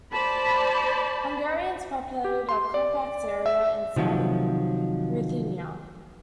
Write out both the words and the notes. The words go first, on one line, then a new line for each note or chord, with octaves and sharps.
Hungarians populated a compact area in southern Ruthenia.
C5 D5 A5 B5
G4
C6
D5
E5
C3 D#3 F3 F#3